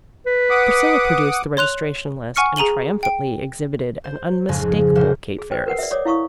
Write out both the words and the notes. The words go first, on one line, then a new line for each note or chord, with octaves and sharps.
Priscilla produced the registration-list, and triumphantly exhibited an unmistakable Kate Ferris.
B4
F#5 D6 D#6
C#5 C6 F#6 F7
F#5 G#5 C#6 F6 C#7
G#4 A#5 D#7 F#7 G7
G5 D7
C5
F2 G#2 C#3 F3 G#3 D#4
F1 A#2 F3 F#3 C5 F6
G#4
B4 C5 G5
A#4 B4 F#5
D5 E5
C#5 D5 D6 D#6
E4 F5 C#6 D#6